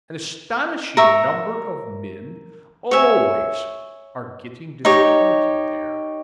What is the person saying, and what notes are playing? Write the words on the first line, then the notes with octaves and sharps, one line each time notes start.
An astonishing number of men always ARE getting disappointed there.
A#4 E5 A#5 C#6
C#5 E5 G#5
D#4 G4 C#5